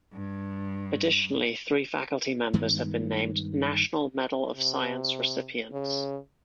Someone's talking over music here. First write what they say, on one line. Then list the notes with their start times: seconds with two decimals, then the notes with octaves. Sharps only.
Additionally, three faculty members have been named National Medal of Science recipients.
0.13 G2
2.53 G2 D#3 G#3 B3
4.56 C3
5.73 C#3